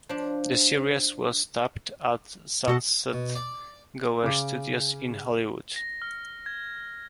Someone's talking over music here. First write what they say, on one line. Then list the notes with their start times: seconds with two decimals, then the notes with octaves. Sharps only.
The series was taped at Sunset-Gower Studios in Hollywood.
0.09 F3 D4
2.68 B2 F#4 A4 D#5
3.13 B2
3.35 D5
4.23 C#3 D6
5.76 A#6
6.02 F6
6.46 G#6